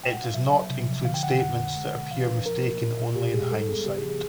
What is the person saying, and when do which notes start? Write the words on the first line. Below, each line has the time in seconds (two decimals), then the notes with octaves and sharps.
It does not include statements that appear mistaken only in hindsight.
0.04 G5
0.13 F#5
0.24 F5
0.34 F#3 E5
0.52 F#3
0.70 C3
0.87 F3
1.05 D3 F5
1.14 G5
1.23 D3 F#5
1.31 G5
1.40 F2 F#5
1.57 D3
1.76 G#3
1.93 B2
2.11 E3 F5
2.28 D4 B4
2.46 F3 A#4
2.64 A#3
2.81 A#2
2.99 A#2
3.16 B2 G4
3.33 G#3 G#4
3.51 G3 A4
3.61 A4
3.69 B3 G#4
3.86 C#3 G4
3.98 G#4
4.04 F3
4.10 G#4